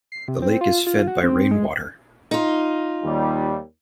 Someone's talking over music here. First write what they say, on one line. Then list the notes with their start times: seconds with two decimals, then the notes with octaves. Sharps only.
The lake is fed by rain water.
0.12 C7
0.28 C3
0.42 C4
0.61 F4
0.86 F4
1.07 F#4
1.23 C4
1.51 G#3
2.31 D#4 F4
3.04 D#2 G3